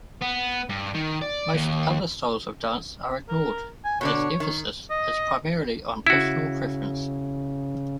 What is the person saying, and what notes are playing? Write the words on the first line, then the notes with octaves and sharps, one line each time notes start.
Most other styles of dance are ignored as emphasis is primarily on personal preference.
B3
G2
D#3
D5
D#2
A#4
G#5
B2 D3 D4 C#5
D#3
D#5
C#3 E4 F#4